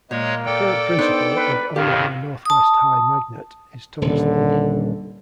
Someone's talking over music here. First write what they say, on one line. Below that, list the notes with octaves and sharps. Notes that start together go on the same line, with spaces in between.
The current principal of Omaha Northwest High Magnet is Thomas Lee.
A#2 G#3 A#3 C#5
A4 D5 G5
B3 D4 D#4 C5
B4
F2 A2 D#3 G4 F5
A5 D#6
D#1 D3